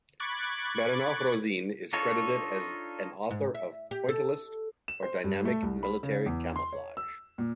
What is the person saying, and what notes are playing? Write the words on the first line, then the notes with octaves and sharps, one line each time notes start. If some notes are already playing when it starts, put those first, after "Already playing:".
Baranov-Rossine is credited as an author of pointillist or dynamic military camouflage.
B5 C#6 D6 F#6 G#6 A6
D4 D#4 F4 A4 C#5
G#2
E5
G4
A4
E7
C5
G2
A3
C2
B5
C#3
E2
C6
C#5
E6
A#2